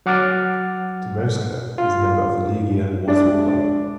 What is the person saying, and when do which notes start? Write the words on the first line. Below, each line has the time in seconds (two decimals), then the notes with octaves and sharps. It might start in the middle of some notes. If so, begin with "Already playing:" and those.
Dmowska is a member of the Legia Warsaw Club.
0.06 F#3 F#5 D6 F6 A6
1.78 F4
3.07 G#3 D4 D5 E5